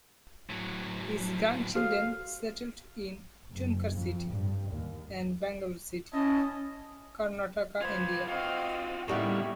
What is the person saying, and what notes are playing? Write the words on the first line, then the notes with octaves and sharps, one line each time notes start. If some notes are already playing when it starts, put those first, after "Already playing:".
His grandchildren settled in Tumkur City and Bangalore City, Karnataka, India.
A2 F#3
F#4 A4 C5 F5
F#1
F2
G2
D#2
C#4 E4 D#5 A5
F4 B4 C5 G#6
C4 F4 F#4 D#5 F5
A2 C#3 G3 A#3 B3 D#4 E4 C#6